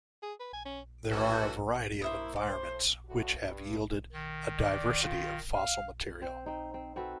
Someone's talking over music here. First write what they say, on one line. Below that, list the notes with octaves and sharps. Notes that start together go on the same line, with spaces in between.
There are a variety of environments, which have yielded a diversity of fossil material.
G#4
B4
G#5
C#4
E3 A3 C#4 F#4
A#3 E4 C5 E5 D#6
A2 C5 D6
D2 A2 F#4
G2
D#3
D5
F4
F5
C4 C5
C4 D#4
C4
C4 F#4 A4 B4